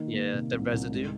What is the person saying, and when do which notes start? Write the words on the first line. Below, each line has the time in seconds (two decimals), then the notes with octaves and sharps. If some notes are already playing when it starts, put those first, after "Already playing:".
Yeah, the residue
Already playing: D#3 A#3
0.14 A#3
0.33 C3
0.52 C2
0.72 C2
0.92 G#2